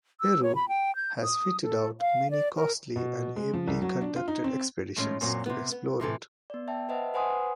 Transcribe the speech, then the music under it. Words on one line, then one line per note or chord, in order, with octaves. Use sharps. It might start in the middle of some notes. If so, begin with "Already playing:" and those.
Peru has fitted out many costly and ably-conducted expeditions to explore it.
E6
C#5
B5
G5
G6
D#6
A4
F5
D5
A#4
B2
G#3
F3
C2
F#3
D4
F4
D#4
C4
A2 F3 G#3 C#4
F#2 A#2 F#3 C4
C3 B3
B3
A2 C3 E3 A4
B3 D5
E5 G5 A5
B4 C5 D#5 E5 F#5 A5
B4 C5 F#5 G#5 C6 D#6
B4